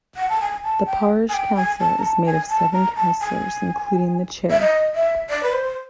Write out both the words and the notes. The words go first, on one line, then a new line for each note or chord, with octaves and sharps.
The Parish Council is made of seven councillors including the Chair.
F#5
A5
G#5
A5
G5
G#5
G5
G#5
A5
A#5
A5
G#5
A5
A#5
A5
G#5
E5
D#5
E5
D5
B4
C5